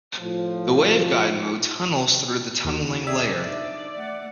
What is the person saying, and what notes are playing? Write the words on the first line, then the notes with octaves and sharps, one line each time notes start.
The waveguide mode tunnels through the tunneling layer.
A2 F3
D#2 D#4 F#4
C4 G#4 D5 E5
D4 D#4
A3 F#5